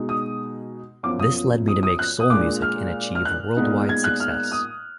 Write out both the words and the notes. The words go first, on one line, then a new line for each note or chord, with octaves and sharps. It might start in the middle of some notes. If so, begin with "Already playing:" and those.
This led me to make soul music and achieve worldwide success.
Already playing: B2 G#3 D#4
D#6
F#2 F3 B3 F4 D6
D#6
D#6
D#6
F#6
D#6
A#2 G#3 D4 F4 D6
F6
F6
F#6
A#2 G#3 B3 D#4
G#6
F#6
F6
D#6